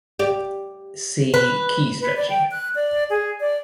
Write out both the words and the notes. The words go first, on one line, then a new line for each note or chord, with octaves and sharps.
"See" key stretching.
G4 D5
B4
B4
D5
G5
F#6
D5
G#4
D5